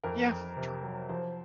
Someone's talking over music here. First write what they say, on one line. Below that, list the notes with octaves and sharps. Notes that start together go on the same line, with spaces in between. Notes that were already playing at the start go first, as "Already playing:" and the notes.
Yeah, true.
F2 A#4
F2
C3
F#3
F3 C5